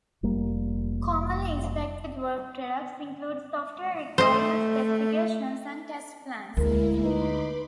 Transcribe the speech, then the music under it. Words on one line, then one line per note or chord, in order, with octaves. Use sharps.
Commonly inspected work products include software requirements specifications and test plans.
F1 G3 A#3
A3 C5 D#5
D2 G#3 A#3 E4 A#4
D#4 B4 B5 C6 D6